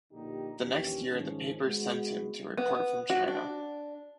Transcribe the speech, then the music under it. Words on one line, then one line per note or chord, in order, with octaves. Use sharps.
The next year the papers sent him to report from China.
A#1 A#2 D3 D#4 G4
A#1 D#2 E3 C#4 G4
G#2 D#3 F3 C#4
G#3 B3 F#4
B3
F#4
D4